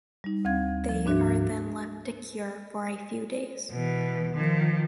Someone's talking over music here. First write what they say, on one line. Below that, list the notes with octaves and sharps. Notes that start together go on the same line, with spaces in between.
They are then left to cure for a few days.
G3 D#4
D2 C4 F5 G#6
F3
G#2 D4 F#4 E5
B2 E3
D#3 F3